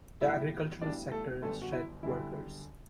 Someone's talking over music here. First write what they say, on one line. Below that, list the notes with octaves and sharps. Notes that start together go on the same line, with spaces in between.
The agricultural sector shed workers.
B1 A2 E3 G3 E4 E5
B1 A2 E3 G3 D4 D5
A3 A4
G1 F#2 D3 G3 A3 A4
F#4
E4
G1 F#2 D3 G3 E4